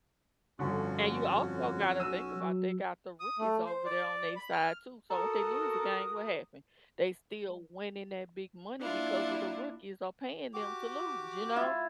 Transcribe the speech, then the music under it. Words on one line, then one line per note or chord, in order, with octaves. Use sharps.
And you also gotta think about they got the rookies over there on their side too, so if they lose the game, what happened? They still winning that big money because of the rookies are paying them to lose, you know?
G1 F2 D3 C#4 F#4
B1 E6 D#7
F#3
D#6
A3
C5
D5
B5
F6
F#4 A4 A#4 A#5 D#6
A#3 D4 E4 F4
F#4 G4 D6
E4 F4